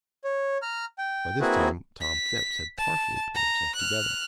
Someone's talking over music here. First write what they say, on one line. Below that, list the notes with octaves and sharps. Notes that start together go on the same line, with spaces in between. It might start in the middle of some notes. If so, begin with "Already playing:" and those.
By this time Tom Phipps had partially pulled himself together.
C#5
A#5 F6
G5
A#3 C4 E4 F#4 G#4 B4
B6
A5
A#5
F6 F#6